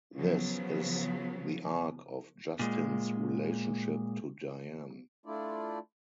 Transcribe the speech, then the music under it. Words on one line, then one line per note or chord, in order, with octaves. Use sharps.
This is the arc of Justin’s relationship to Diane.
C#3 F3 F#3 B3
A#2 G#3
A3 D4 E4 F4 D5